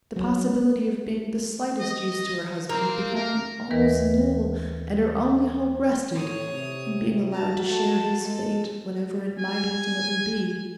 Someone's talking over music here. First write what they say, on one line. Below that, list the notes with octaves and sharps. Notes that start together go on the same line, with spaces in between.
The possibility of being the slightest use to her husband had become almost NIL, and her only hope rested in being allowed to share his fate, whatever it might ultimately be.
F#3
D#5
A#3 C4
A#4
D#2 E3 A#4 B4 D#5
A2 C#5 D#6
C3
F#4 A5 A#5
A3 A5
G#3 A4
G#5